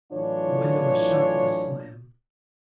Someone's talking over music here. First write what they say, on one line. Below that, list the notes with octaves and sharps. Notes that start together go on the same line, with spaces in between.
The window was shut with a slam.
A2 E3 F#3 D4 F4 C#5